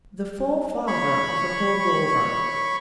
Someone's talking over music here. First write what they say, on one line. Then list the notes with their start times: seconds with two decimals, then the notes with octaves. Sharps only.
The forefather of a hold-over.
0.87 C#5 B5 C#6